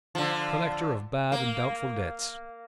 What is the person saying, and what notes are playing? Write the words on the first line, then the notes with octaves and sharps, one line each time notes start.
Collector of bad and doubtful debts.
D3 F3
A#3